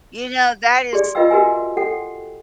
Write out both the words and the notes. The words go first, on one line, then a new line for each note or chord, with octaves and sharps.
You know, that is
G4 G#4 D5
F4 B4 D#5 F5 G5 E6
F#4 G4 A#4 B4 E5 G#5
G4 A4 F#5 G5